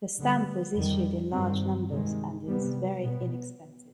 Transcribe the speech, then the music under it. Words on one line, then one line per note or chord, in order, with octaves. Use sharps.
The stamp was issued in large numbers and is very inexpensive.
D3 G3 B3
F2 D#3 G3
G2 D#3 G3 C4
C3 D#3 G#3
C3 G3 B3
B2 B3